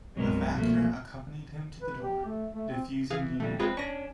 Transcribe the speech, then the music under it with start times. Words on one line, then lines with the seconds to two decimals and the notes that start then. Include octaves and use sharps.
The factor accompanied him to the door, diffusing geniality.
0.17 C2 G2 F#3 G#3 B3 A#4
0.55 B2 F3 A3 A#3
1.82 B4
2.03 G4
2.25 A3
2.54 A3
2.69 C4
3.10 E3 G#4 F5
3.40 F2 D3 G3 A3
3.59 G#3 C4 F4 G#4 B4
3.77 C#4 D4 C#6 A#6